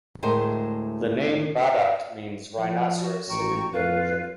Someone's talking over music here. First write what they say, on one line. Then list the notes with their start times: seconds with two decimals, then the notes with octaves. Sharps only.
The name "Badak" means rhinoceros in Indonesian.
0.23 D2 A2 G#3 G#4 A#4 C5
2.58 F3
3.00 F#4
3.28 A1 G5 A#5 C#6
3.73 F2 F4 B4